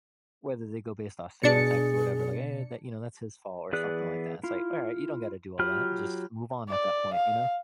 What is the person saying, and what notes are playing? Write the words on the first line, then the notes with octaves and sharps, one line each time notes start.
whether they go based off stereotypes or whatever, like, "Hey, that", you know, "that's his fault." Or something like that. It's like, "Alright, you don't gotta do all that." Just move on at that point, you know?
B2 D4 G#4 A6 C#7
E3 B3 G#4 D5 F#6
E4 F4
F#3 F4 G4 B5 F6
D5
F5